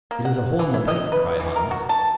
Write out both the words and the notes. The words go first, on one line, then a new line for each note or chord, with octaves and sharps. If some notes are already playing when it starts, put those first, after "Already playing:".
"It is a hole in the dike!" cried Hans.
A#3
F#5
E3
E4
D#5
B4
E3
A#4
F#4
A5